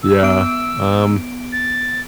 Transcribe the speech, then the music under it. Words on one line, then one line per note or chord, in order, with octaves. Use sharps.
Yeah, um
E6
B3 D7
A6